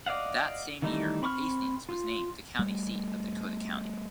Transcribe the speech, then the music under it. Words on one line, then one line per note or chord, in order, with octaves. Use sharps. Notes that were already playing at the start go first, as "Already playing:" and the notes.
That same year Hastings was named the county seat of Dakota County.
D5 D#5 F5 F#5
D#3 E3 G3 A3 D#4
C4 B5 C#6 D6 F6
F4
G3 A3